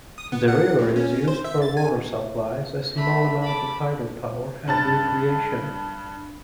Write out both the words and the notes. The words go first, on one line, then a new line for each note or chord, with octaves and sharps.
The river is used for water supplies, a small amount of hydropower, and recreation.
D#6
B3
F#5
A2
C#4
C5
E5
A6
G#5
A3 B5
A5 B5 D6
G2 A5 A6